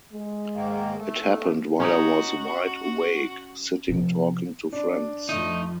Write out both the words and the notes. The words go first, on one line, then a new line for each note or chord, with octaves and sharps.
It happened while I was wide awake, sitting talking to friends.
G#3
G#2 D#3 A#3
A3
C#4 D#4 F#4 C#5
C3 F3
D4
F2 F3 A3 D#4